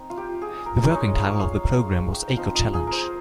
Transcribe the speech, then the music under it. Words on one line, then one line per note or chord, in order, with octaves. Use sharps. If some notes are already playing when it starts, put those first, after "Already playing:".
The working title of the programme was Eco-Challenge.
Already playing: C4 D#4
F4
G4
G#4
A#4
G#3 D#4 C#5
F5
F5
F5
F5
G5
F3 C4 D#4 F5
D#5
G#4
A#4 C5